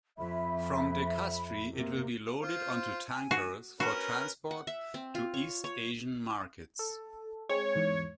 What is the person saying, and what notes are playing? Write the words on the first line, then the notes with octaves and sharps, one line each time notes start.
From De-Kastri it will be loaded onto tankers for transport to East Asian markets.
F2 E5 B5
C3 A#3
F4 C5
G#5
F#4
C#4 F#4 A#4 B4
F#5
E5
C4
F4
C#5
C#5
A4
G#3 C4 C#5
E2 G#2